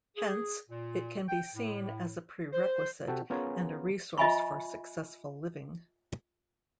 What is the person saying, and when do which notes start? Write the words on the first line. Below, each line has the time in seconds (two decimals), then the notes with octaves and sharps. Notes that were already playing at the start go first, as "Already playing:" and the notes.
Hence, it can be seen as a prerequisite and a resource for successful living.
0.17 G#4
0.69 A#2
1.29 G5
1.55 A2
2.53 C5
3.08 C3 F#4 A4 G5
3.30 B3 C#4 F4 G#4 A#4 C#5
4.18 F4 D#5 E5 G#5 B5 C#6